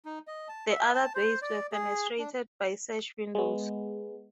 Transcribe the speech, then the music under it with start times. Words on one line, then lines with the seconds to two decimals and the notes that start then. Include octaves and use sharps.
The other bays were fenestrated by sash windows.
0.05 D#4
0.28 D#5
0.48 A5
0.70 E5
0.94 A5
1.15 C5
1.42 D5
1.72 G#4
2.19 D4
3.35 G#3 B3